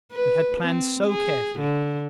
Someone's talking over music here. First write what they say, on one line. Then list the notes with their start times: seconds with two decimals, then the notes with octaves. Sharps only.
We had planned so carefully!
0.12 B4
0.62 C4
1.08 G#4
1.60 D3